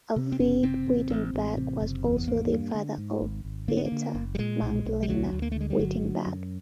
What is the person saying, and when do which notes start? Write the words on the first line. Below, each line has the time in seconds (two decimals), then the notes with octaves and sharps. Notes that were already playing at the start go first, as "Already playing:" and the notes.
Arvid Wittenberg was also the father of Beata Magdalena Wittenberg.
0.16 C3
0.32 C4
0.40 F#1 C#4
0.63 C3 C4
0.86 A1
1.10 A1
1.34 A1
1.57 C3
1.80 F#1
2.04 E2
2.16 B3
2.27 G#1 A#3
2.51 G2
2.74 D3
2.98 G#2
3.22 G#1
3.45 G#1
3.68 D3 A#3
3.77 B3
3.85 A#3
3.92 D3
4.15 F#1
4.35 G3
4.38 A#2 G#3
4.62 B1
4.85 B1
5.03 G3
5.09 D2 F#3
5.33 D2
5.42 A#3
5.52 A3
5.56 D3 G#3
5.70 G3
5.79 G1 F#3
6.03 D3
6.26 F#2